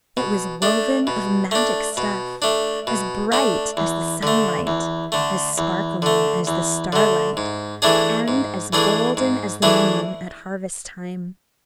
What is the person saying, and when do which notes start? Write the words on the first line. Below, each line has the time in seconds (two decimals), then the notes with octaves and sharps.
It was woven of magic stuff as bright as the sunlight, as sparkling as the starlight, and as golden as the moon at harvest time.
0.17 B2
0.62 A3 D4
1.07 B2
1.51 A3 D4
1.97 B2
2.42 A3 D4
2.87 B2
3.32 A3 D4
3.77 E2
4.23 D3 A3
4.67 E2
5.12 D3 A3
5.58 E2
6.02 D3 A3
6.47 E2
6.92 D3 A3
7.37 G#2
7.82 E3 A3 D4 G#4
8.28 G#2
8.73 E3 A3 D4 G#4
9.17 G#2
9.62 E3 A3 D4 G#4